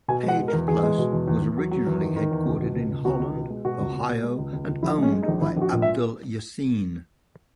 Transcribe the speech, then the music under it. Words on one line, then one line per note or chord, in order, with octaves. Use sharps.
Page Plus was originally headquartered in Holland, Ohio, and owned by Abdul Yassine.
B2 G#5
G#3
F#5
B2
A#4
E2
E2 G#4
G#3
B2
E2
E2
E2
F#3
F#3
E2
D#3
D#3
E2
C#2
B2
C#2
C#2
C#2 F#4
C#2
B2
G#3
B2 F#4
C#2
C#2
B2
G#3
C#2
C#2
C#2
A#1 E4
G#3 C#4
G#3
D#4
A#1
A#1 E4
A#1 F#4
A#2
E5